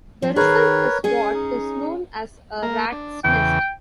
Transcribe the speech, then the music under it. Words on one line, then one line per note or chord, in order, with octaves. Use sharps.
The result is what is known as a rat's nest.
F3
D#3 G#4 A#4 B4 C#5
C#4 G#4 G#5
D#4
A#3 A#4
D4
E2 C#3 E3 G5